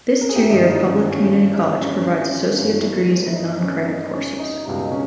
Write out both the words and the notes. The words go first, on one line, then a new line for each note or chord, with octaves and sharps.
This two-year public community college provides associate degrees and non-credit courses.
A#4
G#4
G4
E4
G#1 G2 E3 D#4
D#4
C#4
C#4
D#4
C#4
C#4
C#4
G1 G2 E3
E4
D#4
C#4
D#4
C#4
D#4
C#2 B2 G3 D#4
C#4